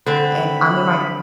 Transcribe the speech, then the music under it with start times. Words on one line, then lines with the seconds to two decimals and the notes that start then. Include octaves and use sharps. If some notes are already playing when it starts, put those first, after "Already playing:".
and I'm in my
0.06 D3 C4 B5